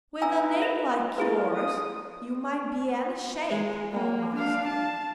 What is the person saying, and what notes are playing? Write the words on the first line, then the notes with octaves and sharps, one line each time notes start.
With a name like yours, you might be any shape, almost.'
D#4 B4 G#5 A#5 E6
E5
G#3 E4 F4 G#4 B4
D#6
G#3
A#3
D4 F5
A5